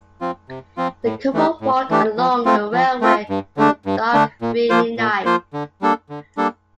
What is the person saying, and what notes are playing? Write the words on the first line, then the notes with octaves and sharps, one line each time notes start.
The couple walked along the railway on a dark rainy night.
F3 C4 F4
C3
F3 C4 F4
A2
E3 A3 D4 G4
A2
E3 A3 D4 G4
F3
A3 C4 F4
F3
A3 C4 F4
G2
D3 A3 D4
G2
D3 A3 D4
A#2
F3 A#3 F4 C5
A#2
F3 A#3 F4 C5
D3
G3 A#3 D4 A4
D3
G3 A#3 D4 A4